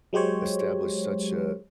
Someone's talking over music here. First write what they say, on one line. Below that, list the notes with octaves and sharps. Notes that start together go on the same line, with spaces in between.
establish such a
F#3 G#3 G4 C5 C#5